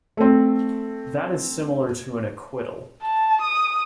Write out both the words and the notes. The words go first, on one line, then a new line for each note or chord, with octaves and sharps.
That is similar to an acquittal.
A3 C4
A5
D#6